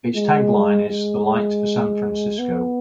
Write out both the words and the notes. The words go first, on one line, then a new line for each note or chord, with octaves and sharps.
Its tag line is "The Light for San Francisco".
G#3
G#3
B3